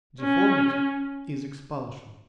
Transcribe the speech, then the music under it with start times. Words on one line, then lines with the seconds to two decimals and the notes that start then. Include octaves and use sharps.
Deformity is expulsion.
0.21 C#4